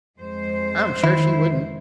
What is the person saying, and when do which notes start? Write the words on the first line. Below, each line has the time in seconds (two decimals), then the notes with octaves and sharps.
"I'm sure she wouldn't."
0.18 F2 G#3 C5
1.04 D#3 E4